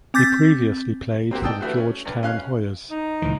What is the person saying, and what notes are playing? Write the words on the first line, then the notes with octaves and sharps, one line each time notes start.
He previously played for the Georgetown Hoyas.
C4 D6 G6 A6 B6
A#3 C4 F#4 G4
D5 G5 A5 D#6 E6
E3 A3 F#4
C#4
G2
C#4 F5 F#6
D#4
C#2 A#2 E3